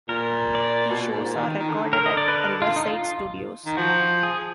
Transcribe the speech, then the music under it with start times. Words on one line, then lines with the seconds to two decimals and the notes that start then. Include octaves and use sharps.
The shows are recorded at Riverside Studios.
0.09 A#2 A#4
0.55 D5
0.90 B2
1.01 A#2
1.13 G#2
1.24 A#2
1.36 D#3
1.47 D#3
1.60 D#3
1.70 D3
1.93 A#4
2.06 D#5
2.17 D5
2.28 B4
2.40 A#4
2.62 F4
2.76 D#4
2.85 F4
3.66 D#3
3.77 F3 F#4
4.23 G#4